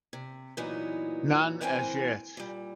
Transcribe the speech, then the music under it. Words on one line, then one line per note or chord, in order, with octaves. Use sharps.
None as yet.
C3
A#2 E3 F#3 B3 D#4
D2 E3 A#3 C4 G5 G#5
A#2 G3